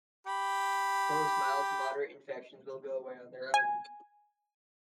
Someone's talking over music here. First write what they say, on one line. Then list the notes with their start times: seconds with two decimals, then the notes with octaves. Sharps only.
Most mild to moderate infections will go away on their own.
0.27 G4 B5
3.54 G#5